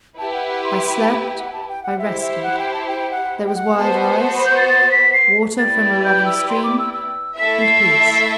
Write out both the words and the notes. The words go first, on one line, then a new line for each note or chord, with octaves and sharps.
I slept; I rested; there was wild rice, water from a running stream--and peace!
E4 G4 B4 A5
F#5
F#5
C6
B5
B5
G5
F#5
A5
G5
F#5
E4 G4 C5 E5
E5
F#5
G5
A5
G5
F#5
G5
F#5
B3 F#4 C5 A5
A5
A5
B5
G6
A6
A6
B6
C7
E4 G4 B4 D5 G5 A6
G6
E6
C6
D6
E6
E6
A3 E4 A4 E5 B6
C7